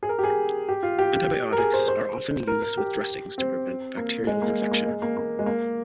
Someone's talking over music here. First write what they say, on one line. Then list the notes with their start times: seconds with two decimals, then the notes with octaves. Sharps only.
Antibiotics are also often used with dressings to prevent bacterial infection.
0.03 G#4
0.09 A#4
0.19 G4
0.24 G#4
0.69 G4
0.83 F4
0.99 G4
1.52 A#4
1.58 G#4
1.73 C5
1.88 C5
2.47 A#4
2.62 A#4
2.77 G4
3.38 C4
3.97 A#3
4.27 G#3
4.42 A#3
4.62 G#3
4.71 A#3
4.86 G#3
5.02 A#3
5.17 A#3
5.39 G#3
5.46 A#3